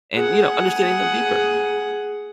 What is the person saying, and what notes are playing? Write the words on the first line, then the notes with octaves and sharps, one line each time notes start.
And, you know, understanding them deeper.
G#4 F#5